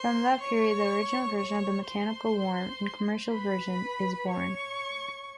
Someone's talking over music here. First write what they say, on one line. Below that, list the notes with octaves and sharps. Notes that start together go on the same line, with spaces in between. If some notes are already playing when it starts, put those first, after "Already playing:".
From that period, the original version of “Mechanical Worm” in commercial version is born.
Already playing: C5 C6
C#5 C#6
C#5 C#6
C5 C6
B4 B5
C#5 C#6